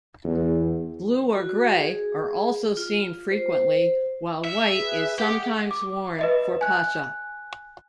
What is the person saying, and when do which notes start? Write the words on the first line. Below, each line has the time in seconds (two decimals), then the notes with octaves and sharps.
Blue or grey are also seen frequently, while white is sometimes worn for Pascha.
0.24 E2
1.35 F#4
1.77 G#4
2.77 F4
3.31 C5
4.45 E5
4.75 G#4 B4
5.19 G4 G#4 F#5
5.71 D6
6.19 B4 D#5 E5
6.61 G#5 F#6